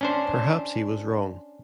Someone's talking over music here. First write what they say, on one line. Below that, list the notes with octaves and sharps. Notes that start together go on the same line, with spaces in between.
Perhaps he was wrong.
C#4 D4 C5